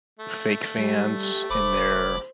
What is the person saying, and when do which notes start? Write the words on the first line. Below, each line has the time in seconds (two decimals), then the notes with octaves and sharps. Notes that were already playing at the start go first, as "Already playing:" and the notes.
fake fans in their
0.20 A3
0.78 G3 G4
1.50 F1 C5 B5 D6